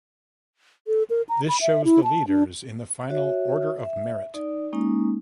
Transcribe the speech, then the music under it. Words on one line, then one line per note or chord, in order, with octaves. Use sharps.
This shows the leaders in the final Order of Merit.
A4
A#4
A#5
B5
E5
E4
A5
D4
F#4 C#5 E5
E5
D#4 D5
G#3 A#3 C#4 D#4